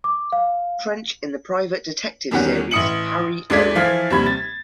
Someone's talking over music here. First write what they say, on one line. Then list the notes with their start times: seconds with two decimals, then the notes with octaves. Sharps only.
Trench in the private detective series "Harry O".
0.04 D6
0.32 F5
2.31 E2 D#3 G3 C#4 F#4
2.71 A1 E4 D#6 C#7 F#7
3.50 D2 G#3 D5 G#6 B6
3.75 E3 F3 F5
4.10 D#2 C3 G3 B5 G#6
4.26 A6